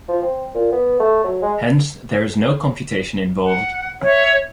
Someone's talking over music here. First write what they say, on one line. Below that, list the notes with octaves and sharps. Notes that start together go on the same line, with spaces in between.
Hence there is no computation involved.
F3
C4
A#2
B3
A3
F#3
G#3
F#5
C#5 E5